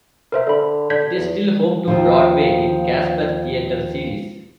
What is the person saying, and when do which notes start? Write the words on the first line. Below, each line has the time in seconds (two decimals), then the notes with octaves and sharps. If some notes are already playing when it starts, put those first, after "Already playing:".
It is still home to Broadway in Casper theatre series.
0.32 A#4 C5 E5
0.47 D3 A4 B5
0.90 D3 G6 G#6 B6
1.14 E2
1.88 D#2 F3